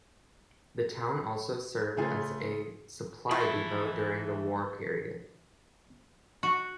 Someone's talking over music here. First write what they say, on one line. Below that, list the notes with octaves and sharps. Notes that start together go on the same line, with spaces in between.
The town also served as a supply depot during the war period.
C#3 A3 F4 G#4
E3 A3 E4 F4 B5
F#4